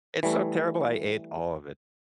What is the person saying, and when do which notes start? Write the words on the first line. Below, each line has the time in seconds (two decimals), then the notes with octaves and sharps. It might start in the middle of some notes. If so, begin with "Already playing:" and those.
It's so terrible, I ate all of it.
0.23 E3 G3 A3